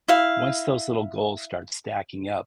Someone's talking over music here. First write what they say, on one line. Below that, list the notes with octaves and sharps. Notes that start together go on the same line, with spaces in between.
once those little goals start stacking up,
E4 F5